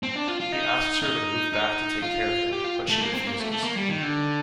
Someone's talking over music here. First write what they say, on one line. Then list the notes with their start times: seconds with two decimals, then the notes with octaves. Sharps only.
He asks her to move back to take care of him, but she refuses.
0.03 C4
0.16 D4
0.28 F4
0.40 F4
0.52 D#4
1.02 D#4
1.53 D#4
2.02 F4
2.52 G4
2.64 F4
2.89 A3
3.02 A#3
3.14 C4
3.27 A#3
3.40 A3
3.52 A3
3.64 A#3
3.77 G3
3.89 D#3
4.02 D3